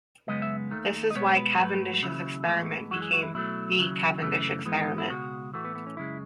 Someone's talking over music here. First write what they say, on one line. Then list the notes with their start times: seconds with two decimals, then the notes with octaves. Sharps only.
This is why Cavendish's experiment became "the" Cavendish experiment.
0.27 F#2 C#3 G#3 B3 D#5
0.42 E5
0.71 D#2 D#3 A3
1.10 D#5
1.15 B2 G#3 B3 C#5
1.37 B4
1.59 G#2 F#3 A3 B4
1.94 F#4
2.02 D#2 C#3 F#3 E4
2.46 A2 E3 G#3 B3
2.91 F#2 E3 G#3 F#4
3.02 G#4
3.13 F#4
3.23 E4
3.34 B2 F#3 A3 E4
3.79 D#2 C#3 F#3
4.22 F#2 C#3 E3 A3
4.65 G#2 E3 G#3 B3
4.98 E4
5.10 C#2 B2 G#3 F#4
5.54 A2 E3 A3 F#4
5.64 B3
5.75 B3
5.87 C#4
5.97 F#2 C#3 G#3 E4